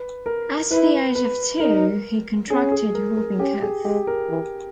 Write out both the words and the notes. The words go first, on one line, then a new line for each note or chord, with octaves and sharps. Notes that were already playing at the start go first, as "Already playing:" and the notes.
At the age of two, he contracted whooping cough.
Already playing: B4
A#4
E4 B4
B4
D#4 A#4
C#4 G#4
G#4
A#4
A#4
C#4 G4
G#4
G#3 G4
A#4
E3